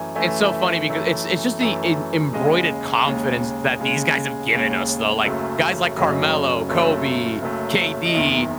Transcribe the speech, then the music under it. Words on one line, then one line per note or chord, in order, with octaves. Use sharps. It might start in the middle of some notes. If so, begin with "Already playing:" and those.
It's so funny becau it's it's just the em embroidered confidence that these guys have given us, though, like, guys like Carmelo, Kobe, KD,
Already playing: F#2 E3 A3 G#5
F#2 E3 A3 G#5
E5
F#2 E3 A3
F#2 E3 A3
D#2 C#3 G#3 D#5
D#2 C#3 G#3
D#2 C#3 G#3
D#2 C#3 G#3 C#5
F#1 F#2 C#3 F#3 A3
F#1 F#2 C#3 F#3 A3 D#5
F#1 F#2 C#3 F#3 A3
F#1 F#2 C#3 F#3 A3
D#5
F#1 E2 D#3 E5